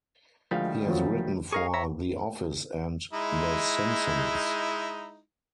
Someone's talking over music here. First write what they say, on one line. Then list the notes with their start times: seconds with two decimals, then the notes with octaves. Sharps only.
He has written for "The Office" and "The Simpsons".
0.51 D2 D#3 F3 G3 G#3 F5
0.86 D#2 F3 F#3
1.52 G#4 A#4 F5 C#6
1.74 C#5 E5 A#5
3.13 G#3 D#4 E4